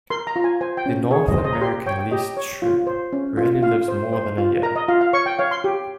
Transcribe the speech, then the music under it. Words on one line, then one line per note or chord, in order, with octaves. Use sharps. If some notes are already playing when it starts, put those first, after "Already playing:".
The North American least shrew rarely lives more than a year.
A#4 C6
A#5
F4
G#5
C5 G#5
G5
C#4
G#4 C#5
D#5
C5
D#5
A#5
G4 C6
C#5 G5
G5
G4 D#5
C#5
F4
C5
C#4
F4
F4 F5
C5
C5
F4
A#4 A#5
D#5
F4 F5
F5
C#5 C#6
G5
C#5 F5
C6
G4